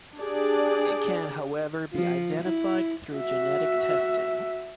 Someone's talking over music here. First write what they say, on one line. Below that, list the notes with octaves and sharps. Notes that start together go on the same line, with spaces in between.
It can, however, be identified through genetic testing.
D4 G4 G#4 D5
F3
E4
F#4 E5